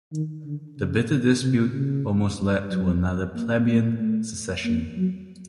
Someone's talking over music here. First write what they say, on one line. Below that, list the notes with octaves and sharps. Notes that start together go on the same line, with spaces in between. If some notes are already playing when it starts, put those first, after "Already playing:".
The bitter dispute almost led to another plebeian secession.
D#3
D3
C#3
C3
C#3
F#3
A#3
A3
A3
A#3
F#3